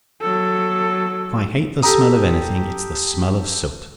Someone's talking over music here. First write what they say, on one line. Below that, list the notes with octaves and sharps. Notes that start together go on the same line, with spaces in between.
If I hate the smell of anything, it's the smell of soot.
F#3 A4
G4 A4 A#5 D#6